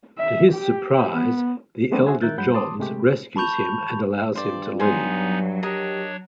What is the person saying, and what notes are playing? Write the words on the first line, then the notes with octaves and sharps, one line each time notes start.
To his surprise, the elder Johns rescues him and allows him to leave.
E5
G4
B3
F#3 A3 B3 C4 D4
F#4 G#4 C5 E5 F#5 G#5
D#3 A#4 E5 F#6 G6 A6
G2 F#3 G#3 F#5 B5 G6
A5 C6 D6 D#6
C3 G#3 A3 G4
A5 B5 C#6 G6 F7
G2 C5 D5
F#3 B3 D#4 G#5 C6
D4 G4 A#4 C#5 D#5